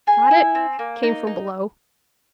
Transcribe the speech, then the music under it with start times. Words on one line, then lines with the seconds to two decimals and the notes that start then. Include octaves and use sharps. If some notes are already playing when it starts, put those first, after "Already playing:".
"Got it?" came from below.
0.07 G#4 G#5
0.31 E4
0.55 C4
0.79 A#3
1.03 D#4
1.27 D#4